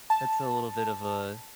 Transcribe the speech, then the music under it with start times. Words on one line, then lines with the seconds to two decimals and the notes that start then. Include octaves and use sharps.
That's a little bit of a,
0.10 A5